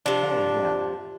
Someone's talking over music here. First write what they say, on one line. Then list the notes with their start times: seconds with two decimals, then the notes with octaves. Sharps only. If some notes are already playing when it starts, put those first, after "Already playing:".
Oh, yeah.
0.06 C3 F3 D4